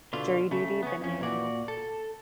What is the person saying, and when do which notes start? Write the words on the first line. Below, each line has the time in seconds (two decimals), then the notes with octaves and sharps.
Jury Duty, the new
0.13 B2 D3 F4
0.51 C#3 A3
0.83 B3 C#4
1.01 F2 C#4
1.22 A#2 F#4 D5
1.68 A4